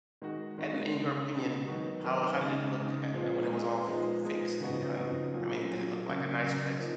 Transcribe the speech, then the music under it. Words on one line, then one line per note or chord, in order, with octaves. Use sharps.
And, in your opinion, how how did it look, eh and when it was all f fixed and done? I mean, did it look like a nice place?
D#3 G#3 D#4 F#4
D#3 G#3 D#4 F#4
C#3 G#3 D#4
C#3 G#3 D#4
D#3 F#3 B3 D#4 F#4
D#3 F#3 B3 D#4 F#4
C#3 G#3 D#4
C#3 G#3 D#4
A#2 F3 G#3 B3 F4
A#2 F3 G#3 B3 F4
A#2 F3 G#3 B3 D#4
A#2 F3 G#3 B3 D#4
C#3 F3 B3 D#4 F#4
C#3 F3 B3 D#4 F#4
A#2 F#3 A#3 F4
A#2 F#3 A#3 F4
C#3 F#3 A#3 C#4 F#4
C#3 F#3 A#3 C#4 F#4
F3 A#3 D#4